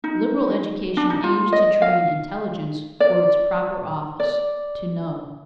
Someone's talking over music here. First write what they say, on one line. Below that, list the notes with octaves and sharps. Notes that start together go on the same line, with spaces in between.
Liberal education aims to train intelligence for its proper office: to know.
D#4
D4
D#4
F4
D#5
F5
D5
D5